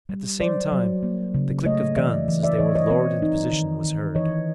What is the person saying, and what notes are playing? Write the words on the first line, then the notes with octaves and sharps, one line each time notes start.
At the same time, the click of guns, as they were lowered into position, was heard.
G3
F#3 C5 D5
F#3
A#3
C#3
A3 C#5 D#5
E3 D5 E5
E3
D5 E5
E3 C#5 D#5
C#5 D#5
C4 C#5 D#5
D#4
D#3
D#3
E3 C#5 D#5